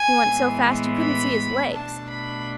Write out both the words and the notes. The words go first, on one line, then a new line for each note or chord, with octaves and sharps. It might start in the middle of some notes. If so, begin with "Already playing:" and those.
He went so fast you couldn't see his legs.
Already playing: G#5
A2 E3 G#3 B3
B5
B2 A3 D4 A5
B5